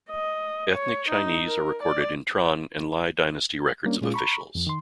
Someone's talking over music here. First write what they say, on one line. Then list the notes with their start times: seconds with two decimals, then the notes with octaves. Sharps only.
Ethnic Chinese are recorded in Tran and Ly dynasty records of officials.
0.10 D#5
0.74 C#5
1.09 D#4
1.46 A#4
1.83 D5
3.85 G3 A#3 C#4 D4
4.02 A#2 G#3 C#4 F4 G#4
4.14 A#5 B5 C#6
4.55 F2 F3
4.67 D#3 C6